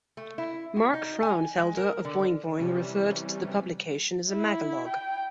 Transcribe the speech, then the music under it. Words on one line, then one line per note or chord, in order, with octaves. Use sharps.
Mark Frauenfelder of Boing Boing referred to the publication as a magalog.
A3
E4
F#4
D#4
G#5
G#3
A#4
D3
C3 E3 G3 C#4
E4
G5